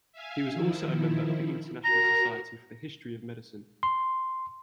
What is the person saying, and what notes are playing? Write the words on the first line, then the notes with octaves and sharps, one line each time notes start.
He was also a member of the International Society for the History of Medicine.
E5 F5 G#5
D#3 F3 E4
F#4 A#4 A#5
C6